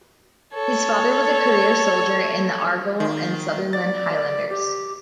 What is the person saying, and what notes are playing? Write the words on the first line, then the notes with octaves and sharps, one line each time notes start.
His father was a career soldier in the Argyll and Sutherland Highlanders.
A4 C#5
D#3
D5 A6
G4